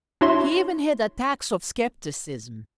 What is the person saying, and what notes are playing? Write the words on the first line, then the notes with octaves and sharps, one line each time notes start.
He even had attacks of scepticism.
D4 E4 F#4 C#5 E5 C6